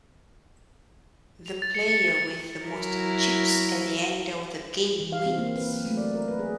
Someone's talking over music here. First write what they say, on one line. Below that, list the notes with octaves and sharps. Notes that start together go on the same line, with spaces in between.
The player with the most chips at the end of the game wins.
F7
A6
C#7
C#7
A6
F#3 E4 A#4
E3
F5
C4
A#3
B4
F#3
A3
D5
A#4
B4
G#4